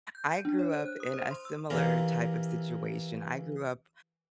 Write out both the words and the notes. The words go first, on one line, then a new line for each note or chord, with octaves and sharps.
I grew up in a similar type of situation. I grew up
G6
D4
C#5
C5
F#6
D#6
C5
C6
E6
C3 E3 A#4 D5 F5